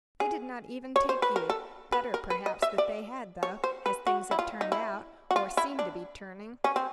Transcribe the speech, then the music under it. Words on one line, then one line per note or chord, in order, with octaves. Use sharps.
They did not even take you; better, perhaps that they had though, as things have turned out, or seem to be turning.
G#4
C#5
C5
B4
A#4
A4
B4
A#4
B4
D#5
E5
D5
C#5
C5
B4
F#4
E4
F4
D#4
E4
F#4
F4
E4
D4
C#4
C4